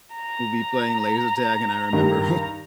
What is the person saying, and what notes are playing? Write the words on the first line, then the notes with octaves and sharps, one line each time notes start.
we'll be playing laser tag, and I remember
A#5
G2 D#3 G3